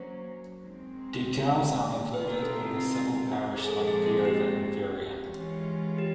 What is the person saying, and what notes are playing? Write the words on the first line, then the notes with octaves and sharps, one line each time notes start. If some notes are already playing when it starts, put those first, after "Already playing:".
Details are included in the civil parish of Peover Inferior.
Already playing: F#3 A#3 C#4 C5
D#3 G#3 C4
C3 D#3 G#3 C4 F4 B4
A#4
A4
A#4
G#4
A#2 F3 G#3 C4 A4
A4
G#4
G#4
G4
E3 G#3 C#4 F4
G4